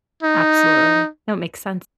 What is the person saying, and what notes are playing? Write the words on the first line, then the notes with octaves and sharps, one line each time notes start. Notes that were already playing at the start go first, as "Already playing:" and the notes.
Absolutely, no, makes sense.
D#4